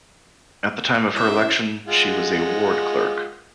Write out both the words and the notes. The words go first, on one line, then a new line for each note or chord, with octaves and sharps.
At the time of her election, she was a ward clerk.
F#2 C#4 E4 C5 E5
G#3 F4 F#5